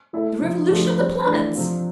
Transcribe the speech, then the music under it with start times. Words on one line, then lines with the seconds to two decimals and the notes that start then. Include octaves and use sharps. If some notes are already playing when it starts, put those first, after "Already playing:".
The revolution of the planets.'
0.13 A3 E4 A4 E5
0.42 C3 F3 C4
0.70 F3 A3 D4 G4
0.99 G3 C4 G4 C5
1.26 E3 A3 D4
1.55 C3 F3 C4 F4